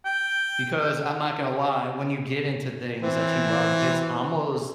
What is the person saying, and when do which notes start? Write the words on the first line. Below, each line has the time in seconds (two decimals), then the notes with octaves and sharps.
Because I'm not gonna lie, when you get into things that you love, it's almost
0.05 G5
3.02 E3 C4